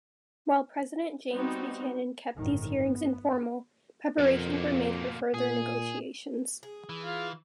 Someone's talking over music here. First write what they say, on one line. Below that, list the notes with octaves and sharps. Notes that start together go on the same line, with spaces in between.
While President James Buchanan kept these hearings informal, preparations were made for further negotiations.
G3 B3 C4 D#4 F#4
G1 F2 A2 D#3
B3
F2 B2 A#3
A#2 G#4
G#4
E3
F4